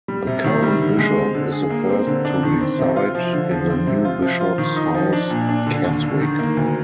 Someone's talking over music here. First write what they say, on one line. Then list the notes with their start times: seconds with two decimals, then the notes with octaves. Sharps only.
The current bishop is the first to reside in the new Bishop's House, Keswick.
0.08 G3
0.27 C3
0.44 D#3
0.63 G3
0.81 D3
0.99 G#3
1.16 C4
1.34 D3
1.52 G#4
1.70 A#3
1.89 C4
2.07 D3
2.25 D4
2.43 D#3
2.61 C4
2.79 C3
2.96 F4
3.15 F3
3.33 D3
3.51 F3
3.69 C4
3.87 C3
4.05 F4
4.22 F3
4.40 F4
4.58 D#3
4.76 D#4
4.94 F3
5.13 D4
5.30 A#2
5.49 D4
5.67 D3
5.85 D#2
6.03 D3
6.21 D#3
6.39 A#3
6.57 D2